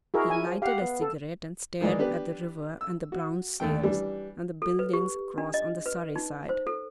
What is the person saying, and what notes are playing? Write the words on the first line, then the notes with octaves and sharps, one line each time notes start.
He lighted a cigarette and stared at the river and the brown sails, and the buildings across on the Surrey side.
E4 F#4 G#4 A#4
G#5
F3
G4 F5 F#5
B3
A4
D#3 E3 G#3 D#4 D5
B3 D4 G4 B4
E6
F#4
D#2 A3 G5
E3 G3 D4
A4
B4
G4
D4
D#5
B4
D#4
C5
A4